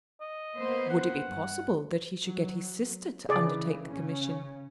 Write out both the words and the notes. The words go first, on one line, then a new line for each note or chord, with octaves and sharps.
Would it be possible that he should get his sister to undertake the commission?
D#5
A#3 B3 C5
F#5
G2
F#3
C#3 E3 G#4 D5
C#3 C#4